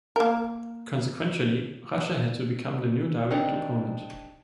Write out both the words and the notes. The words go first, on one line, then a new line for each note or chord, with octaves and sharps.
Consequentially, Russia had to become the new direct opponent.
A#3 A#4
C4 D4 D#4 G4 A#4